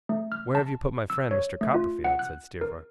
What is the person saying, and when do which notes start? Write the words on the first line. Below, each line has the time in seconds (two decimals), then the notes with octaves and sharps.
'Where have you put my friend, Mr. Copperfield?' said Steerforth.
0.09 A3
0.32 F6
0.55 A5
1.10 E6
1.31 C#5
1.61 A3
1.74 F4
2.04 F#5
2.19 F#6
2.61 A#4